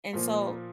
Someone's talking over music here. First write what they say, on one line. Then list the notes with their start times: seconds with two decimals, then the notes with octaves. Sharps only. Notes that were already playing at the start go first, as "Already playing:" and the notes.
And, so,
0.13 A#2 F3 A#3